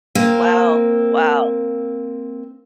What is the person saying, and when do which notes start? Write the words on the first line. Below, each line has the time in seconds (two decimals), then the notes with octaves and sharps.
Wow! Wow!
0.15 A#3 C4